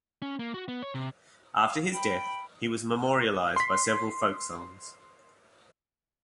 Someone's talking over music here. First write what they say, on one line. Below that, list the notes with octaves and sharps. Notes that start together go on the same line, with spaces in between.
After his death, he was memorialized by several folk songs.
C#4
A#3
F#4
B3
C#5
C3
F5
G5 B5
C6 B6